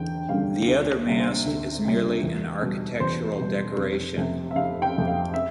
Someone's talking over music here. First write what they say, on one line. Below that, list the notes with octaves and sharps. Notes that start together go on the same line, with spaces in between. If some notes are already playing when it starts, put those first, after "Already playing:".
The other mast is merely an architectural decoration.
Already playing: E2 D3 G5
D3 G3 F5
D2
C3 G3
C5
D2
C3 G3
E2
B2 G3
E2 C5
B2 G3
F1
F2 C3
E5
F1 F5
G5
F2 C3
F5
E5